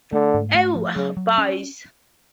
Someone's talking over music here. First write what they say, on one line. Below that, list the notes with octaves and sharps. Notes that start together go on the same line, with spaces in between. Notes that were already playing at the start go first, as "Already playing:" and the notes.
Eww, boys.
D3 A3
G#2
A3
F3
C#3 F#3
F#3
C#4